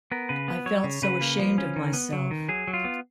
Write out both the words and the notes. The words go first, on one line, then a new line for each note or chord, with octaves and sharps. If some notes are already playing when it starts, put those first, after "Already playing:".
I felt so ashamed of myself.
B3 A#4
C#3 B4
B3
F#3 C#5
C#3
C#3 B4
A#3
F3
C#4
D#3
B3
F#3
D#3
F#3 G#4
F#3
F4
B3